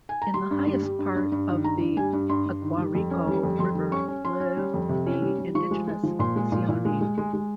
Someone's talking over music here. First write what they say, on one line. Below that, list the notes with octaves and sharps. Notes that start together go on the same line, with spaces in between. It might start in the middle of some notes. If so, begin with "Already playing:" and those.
In the highest part of the Aguarico River live the indigenous Sioni.
G#5
A#5
G3 C6
G2
G3
G3
G2
G2
G2
D#3
G2 A#5
G2
G3 G#5
G2
G2 C6
G2
D#3
G3
F2
C#4
G3
F2
F2 C6
G3
C#4 C#6
C#4
C#4 C6
C#4
G3
F2
C3
C#4
G3
G3
F3 C#6
G#3
G#3
F3
A#2 C6
G#3
A#2
A#2
G#3
G#3
G#3
G#3